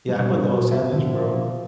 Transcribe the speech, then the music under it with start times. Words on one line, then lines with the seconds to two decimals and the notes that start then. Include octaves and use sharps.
Yeah, I put the whole sandwich, bro.
0.08 G2
0.29 G2
0.50 F#3
0.71 F3 E5
0.92 D3
1.14 F3
1.34 F3